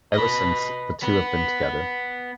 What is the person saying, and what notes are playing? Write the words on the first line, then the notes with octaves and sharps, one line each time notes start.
Ever since, the two have been together.
B4 D#5
B3